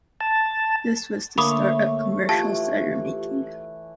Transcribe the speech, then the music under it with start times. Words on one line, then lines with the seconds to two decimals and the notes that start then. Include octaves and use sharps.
This was the start of commercial cider-making.
0.21 A5
1.38 D3 A3 A#3 C#5 B5 D6 D#6
2.29 E3 F4 G4 A5